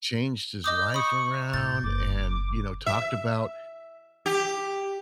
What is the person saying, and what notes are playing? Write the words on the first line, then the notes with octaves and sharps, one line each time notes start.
changed his life around, and, you know, talked about
D#5 D6 D#6 G6
B5 C#6 D#6
A2 G6 A6
F#1 D6
E5
G4